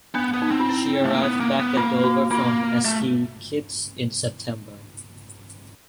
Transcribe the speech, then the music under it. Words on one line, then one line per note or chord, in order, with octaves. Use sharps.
She arrived back at Dover from St Kitts in September.
B3 D4
B3
D#4
C4
F4
E4
A3
A#3
B3
A#3
B3
A#3 F4
F#4
A#3 F4
A3